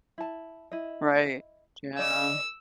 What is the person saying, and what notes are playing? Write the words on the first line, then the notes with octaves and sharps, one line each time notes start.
Right. Yeah.
E4 A5
E4 D#5
C#4 D5 D#5 E6